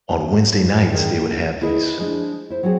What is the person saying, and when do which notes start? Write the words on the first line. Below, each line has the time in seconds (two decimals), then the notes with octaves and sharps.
On Wednesday nights, they would have these
0.90 G2 C3 D#3 G#3
1.13 A#3
1.62 E4 G#4 B4 D#5
1.98 F3 G#3 D4
2.50 E4 C5
2.63 F#3 C4 F#4 G#4